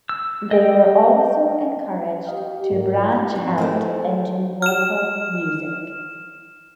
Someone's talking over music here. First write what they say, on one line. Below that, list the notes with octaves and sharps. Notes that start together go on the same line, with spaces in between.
They were also encouraged to branch out into vocal music.
E6
D#5 G5
D#5 F5 G5
G#2 A#4
D#4
F3 G3 C4 F#4
G#3 A3 A4 C5
F6 E7